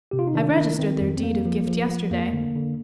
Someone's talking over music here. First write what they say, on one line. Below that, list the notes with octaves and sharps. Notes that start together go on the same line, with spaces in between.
"I registered their deed of gift yesterday."
C3 G4
F4
D#4
D#3 D4
D#3
D#3 C4
F2
C4
F2 A#3
F3
F3
F3
F2 A#3
D3
D3